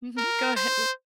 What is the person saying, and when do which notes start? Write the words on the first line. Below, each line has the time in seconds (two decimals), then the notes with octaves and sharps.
mhm, go ahead, ye
0.17 A#4
0.56 C5